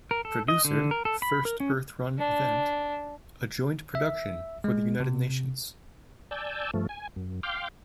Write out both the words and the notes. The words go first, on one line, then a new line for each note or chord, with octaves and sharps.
Producer, First Earth Run event, a joint production for the United Nations.
A#4
A4
D#5
D3
A#4
A4
B5
A#4
C#4
D4
E5
G#3
C3
D5 G#5 A5 E6 G6
G2 F3 A3
G#5
F#2
F5 G5 C6 D6 F6 G6